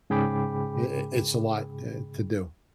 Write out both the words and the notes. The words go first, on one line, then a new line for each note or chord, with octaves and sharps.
i i it's a lot, eh, to do,
G#2 C#3 G#4 G5 B5 D6